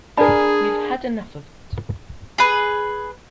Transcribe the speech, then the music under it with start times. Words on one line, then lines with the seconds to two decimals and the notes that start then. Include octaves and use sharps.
We've had enough of it.
0.17 D4 G#4 A#4 D5 G#5 A5 B5
2.38 G#4 B4